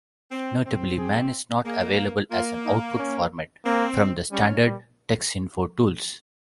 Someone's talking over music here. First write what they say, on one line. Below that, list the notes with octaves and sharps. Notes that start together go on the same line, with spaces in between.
Notably, man is not available as an output format from the standard Texinfo tools.
C4
C4
G#4
A#3 G#4
A#3 F4
D#4
C#4
A#3 C4
G3 C#4
G3